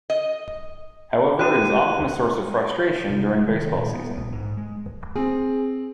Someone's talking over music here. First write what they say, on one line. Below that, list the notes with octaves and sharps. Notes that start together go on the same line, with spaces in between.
However, it is often a source of frustration during baseball season.
D#5
E4 F#4 G4 B4 F#6 D#7
C3
D#3
A#2
B3
A#1
G#2
G#3
C4 G#4